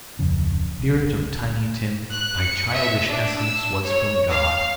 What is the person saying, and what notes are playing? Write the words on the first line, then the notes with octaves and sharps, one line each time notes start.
Spirit of Tiny Tim, thy childish essence was from God!
D1 F2 C#3
C2
F#6
C#7
E5
D4
E6
C#5
F5